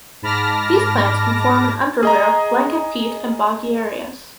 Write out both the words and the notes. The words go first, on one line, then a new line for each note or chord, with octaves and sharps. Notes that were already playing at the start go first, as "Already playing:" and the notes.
These plants can form an underlayer of blanket peat and boggy areas.
G#2 A5 B5 D6 F6 A#6
G#4 D#5 A#5